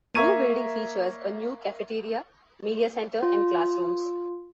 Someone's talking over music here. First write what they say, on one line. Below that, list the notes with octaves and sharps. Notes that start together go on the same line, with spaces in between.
The new building features a new cafeteria, media center and classrooms.
A#3 E5 A#5 C#6 G#6 D#7
F4